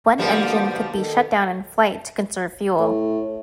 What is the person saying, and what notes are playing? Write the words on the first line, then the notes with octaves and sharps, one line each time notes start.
One engine could be shut down in flight to conserve fuel.
D#2 B2 D3 F3 G3 A#3
D#3 A4
A2